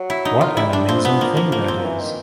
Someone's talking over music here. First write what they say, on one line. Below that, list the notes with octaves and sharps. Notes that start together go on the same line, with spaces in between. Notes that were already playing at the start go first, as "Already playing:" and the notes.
What an amazing thing that is!
Already playing: F#3
E4
D#4
F4
G3 E4
D4
F3 C4
B3
A#3
A#3
A#3
C4
F3
E3
D#3